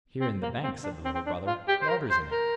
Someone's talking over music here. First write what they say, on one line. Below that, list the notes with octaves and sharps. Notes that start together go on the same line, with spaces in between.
"Here in the bank," said the little brother; "water's in it."
C4
A#3
C4
D4
C4
C4
D4
F4
G4
C5
A#4
C5
A#4